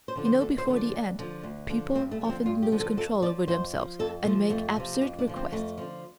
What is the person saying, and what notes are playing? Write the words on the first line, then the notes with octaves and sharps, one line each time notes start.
You know, before the end people often lose control over themselves and make absurd requests.
C5
D3 F3
C5
D2 A4
C5
D3 F3
D5
D2
D3 F3
D2
D3 F3
G2 C4
A3
D3 F3
C4
G2 F4
G4
D3 F3
A4
F2 A4
F3 D5
F2 C5
F3
F2 A4
C3 F3 A3
F2 A3
C3 F3
F2 D4
D4
D3 F3
C4
F2 A3
D3 F3